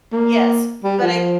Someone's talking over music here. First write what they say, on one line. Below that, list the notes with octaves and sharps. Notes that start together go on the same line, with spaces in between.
Yes, but I
A#3
G3
F3